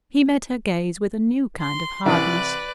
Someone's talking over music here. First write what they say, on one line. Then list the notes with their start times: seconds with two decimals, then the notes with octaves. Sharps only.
He met her gaze with a new kind of hardness.
1.60 C6
2.06 C2 E3 B4 D5